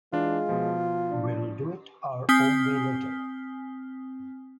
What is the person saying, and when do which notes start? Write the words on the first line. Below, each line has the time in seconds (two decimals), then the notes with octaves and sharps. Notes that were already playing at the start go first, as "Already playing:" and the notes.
We'll do it our own way later.
0.13 E3 G#3 D4 F4
0.49 B2 F3
1.10 D4
2.29 C4 G#5 D#6 F6 B6 G7